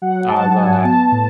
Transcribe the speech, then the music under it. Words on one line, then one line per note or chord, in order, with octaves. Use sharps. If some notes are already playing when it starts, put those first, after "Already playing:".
I've, uh
F#3 F#5
G#2 A5
A5
F#3 G#5
B3 A5
A2